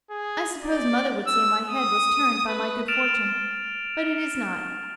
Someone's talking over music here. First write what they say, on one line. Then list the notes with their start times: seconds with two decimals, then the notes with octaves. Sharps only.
I suppose mother would say my head was turned by my good fortune, but it is not.
0.10 G#4
0.62 D5
1.27 E6
1.67 D#6
2.47 B4
2.88 F6 A6 D7 E7 F7